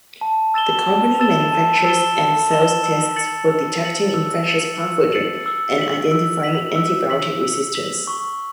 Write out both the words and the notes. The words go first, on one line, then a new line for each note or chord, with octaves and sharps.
The company manufactures and sells tests for detecting infectious pathogens and identifying antibiotic resistance.
A5
E6 A6 E7 G7
A5
E6 A6 E7 G7
A5
E6 A6 E7 G7
A5
E6 A6 E7 G7
E6
A6 C#7 F#7
E6
A6 C#7 F#7
E6
A6 C#7 F#7
E6
A6 C#7 F#7
E6
B6 F#7
E6
B6 F#7
E6
B6 F#7
E6
B6 F#7
C#6